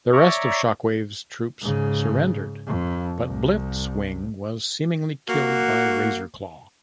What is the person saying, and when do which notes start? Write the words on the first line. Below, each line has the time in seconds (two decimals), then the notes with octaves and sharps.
The rest of Shockwave's troops surrendered, but Blitzwing was seemingly killed by Razorclaw.
0.13 C#5 D5 E5 A#5 C#6
1.61 G#2 C#3
2.67 F2
3.25 C2
5.29 A#3 F#4